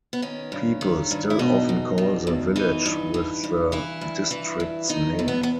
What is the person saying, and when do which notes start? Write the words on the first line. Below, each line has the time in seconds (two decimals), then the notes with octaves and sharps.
People still often call the village with the district's name.
0.13 B3
0.22 D#3 C#4
0.52 G2
0.81 D#3
1.11 G2
1.30 E4
1.39 B2 D#4
1.69 E2
1.98 B2
2.27 E2
2.56 E3 D#4
2.85 G2
3.14 E3
3.44 G2
3.72 E3 E4
4.01 G2
4.31 E3
4.60 G2
4.89 D#3 D#4
5.19 E2
5.28 B3
5.43 B3